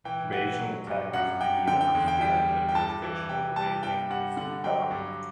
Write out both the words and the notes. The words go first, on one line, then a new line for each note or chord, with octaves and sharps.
Beijing Tech is a key university under the jurisdiction of the Beijing Municipal Government.
E3 G5
E3 F#5
F#3
G2
F#2 F#5
F#2 G5
D3 G5
G5
E2
G5
G3 G5
G3
G5
G2 A5
E3
C3 G5
G3 A5
G2 G5
G2 F#5
D3 F#5
F#3 G5
G2